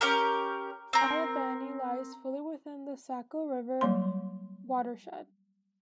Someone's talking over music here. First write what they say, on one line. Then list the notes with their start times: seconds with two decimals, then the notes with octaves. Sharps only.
Albany lies fully within the Saco River watershed.
0.01 C#4 G4 A#4
0.93 C4 A#4
3.81 F#3 G3 A#3 C6